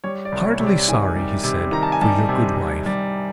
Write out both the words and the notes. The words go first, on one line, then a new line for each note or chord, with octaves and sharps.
'Heartily sorry,' he said, 'for your good wife.
G3 C#5
D5
C2
C#5
C3
D5
D#3 G#5
G3
C3
D#3 A#5
A5
G#5
G3 A5
C3
C3
G3